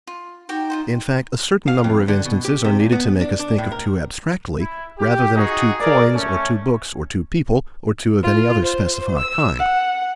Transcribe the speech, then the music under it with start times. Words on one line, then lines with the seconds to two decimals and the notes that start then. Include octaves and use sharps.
In fact, a certain number of instances are needed to make us think of two abstractly, rather than of two coins or two books or two people, or two of any other specified kind.
0.07 F4
0.49 D#4 F#4 G4 G5
0.70 F4 F#4 C5
1.68 F5
1.84 F2
2.08 D3
2.25 B2
2.45 G4
2.64 C3
2.80 A#2
2.92 B3
3.21 D4
3.39 D4
3.58 A2
3.72 A#4
4.60 E4
4.99 G4
5.36 D#4 F#4 G#4
5.80 G#4 A#4 D5
6.15 A3 C#4
8.23 F4
8.62 C5
9.19 E6
9.59 F#5